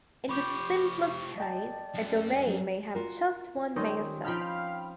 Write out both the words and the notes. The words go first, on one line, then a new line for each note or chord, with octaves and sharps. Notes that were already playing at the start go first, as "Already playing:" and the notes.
In the simplest case, a domain may have just one mail server.
F3 G4 B5 C#6 D6 G6
D5 D#5 G5 A5
F#2
F#3
F4 F#4 A#4
D#3 G3 C4 C#4 D#4
F3 D#4 F5 G5 B5 F6